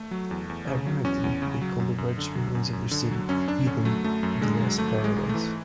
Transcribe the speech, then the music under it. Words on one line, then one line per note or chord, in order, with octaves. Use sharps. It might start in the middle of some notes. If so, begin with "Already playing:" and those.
Ironically, they called the wretched remains of their city Eden- the last paradise.
Already playing: A3
F#3
E2
E2
C#3
F#3
E2 C#4
E2
C#3
F#3
F#2
F#2
D3
F#3
F#2
F#2
D3
F#3
F#2 C#4
F#2 D4
D3 C#4
F#3 A3
F#2 A3
F#2
D3 G#3
F#3
G#1 A3
G#1
G#3
G#2
A3
E3